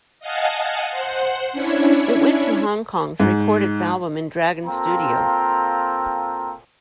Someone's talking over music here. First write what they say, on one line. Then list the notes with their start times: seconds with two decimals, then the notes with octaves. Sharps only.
It went to Hong Kong to record its album in Dragon Studio.
0.20 D#5 F5 F#5 G#5 A5
0.91 C5 F#5
1.52 C#4 D4 E4 C#5
3.20 G#2
4.64 A#3 C4 F4 A4 G5 A#5